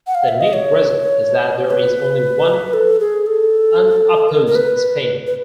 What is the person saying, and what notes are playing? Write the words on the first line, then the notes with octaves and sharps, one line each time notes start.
The net result is that there is only one unopposed spin.
F#5
F5
E5
D#5
C#5
B4
A4
G#4
A4
A#4
A#4
B4
B4